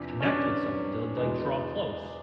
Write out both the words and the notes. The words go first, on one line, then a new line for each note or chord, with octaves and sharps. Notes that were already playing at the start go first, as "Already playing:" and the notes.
connect with someone, du like, draw close.
Already playing: E2 C3 F3 D4
C#4
D4
E2 B2 G#3